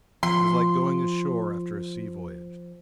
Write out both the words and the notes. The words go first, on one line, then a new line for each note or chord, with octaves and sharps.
It is like going ashore after a sea voyage.
F3 C6